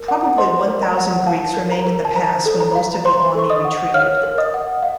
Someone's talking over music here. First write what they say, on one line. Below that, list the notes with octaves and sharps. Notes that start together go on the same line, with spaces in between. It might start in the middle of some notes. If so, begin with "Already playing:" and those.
Probably one thousand Greeks remained in the pass when most of the army retreated.
Already playing: A#4
F#5
C5 D#5 C6
A#4
A#5
F#5
F5 A5
A#4
A#5
A#4
A5
C5 A#5
A4
A#5
F5
A#5
C5 C6
A4 C#6
D#5 D#6
F#5
C#5 F5 F6
A#4
D#5 D#6
F#5
F5